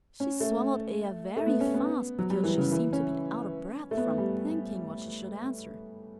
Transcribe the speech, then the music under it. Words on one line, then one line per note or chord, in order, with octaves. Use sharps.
She swallowed air very fast because she seemed to be out of breath from thinking what she should answer.
C#4
A3
A3
B3
C#4
B3
F#3
G3
E3
C#3
E3
C#4
A3
B3
G3